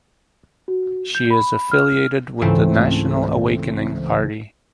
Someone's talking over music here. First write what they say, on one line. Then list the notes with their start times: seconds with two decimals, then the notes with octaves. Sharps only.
She is affiliated with the National Awakening Party.
0.68 F#4
1.15 G6
1.30 B5
1.72 F6
2.42 C#2 G#2 C#3 E3 A3 C4